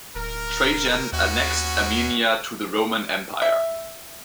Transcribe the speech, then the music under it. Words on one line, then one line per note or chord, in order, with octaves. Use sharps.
Trajan annexed Armenia to the Roman Empire.
D1 A#4
D#2 B3 C#4 F#4
E5